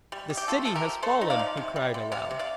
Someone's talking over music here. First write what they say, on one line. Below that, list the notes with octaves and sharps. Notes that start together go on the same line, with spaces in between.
"The city has fallen!" he cried aloud.
G3
G3
G4
A3 F4 A4
F3 A4
G4 A#4
F3
A3 A4 C5
D#4
D5 F5
F3
C3
G3
C3
C3 D5 F5
C3
D5 F5